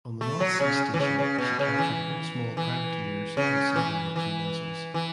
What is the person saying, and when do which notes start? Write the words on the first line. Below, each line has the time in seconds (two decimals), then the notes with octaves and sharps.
On the North Sea station she captured one small privateers and several merchant vessels.
0.21 A3
0.40 F#3
0.60 C#3
0.94 E3
1.00 C#3
1.19 C#3
1.38 B2
1.59 C#3
1.78 E3
2.57 E3
3.37 C#3
3.76 E3
4.16 E3
4.94 E3